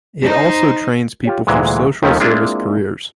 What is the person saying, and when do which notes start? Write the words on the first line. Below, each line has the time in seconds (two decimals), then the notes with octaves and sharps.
It also trains people for social service careers.
0.23 D#4 C5
1.25 F4 G4 C#5
1.47 D2 A#2 E3 G#3
2.03 D#2 D#3 F3 A3 C#4
2.20 G#3 A#3 C4 D4 E4 F4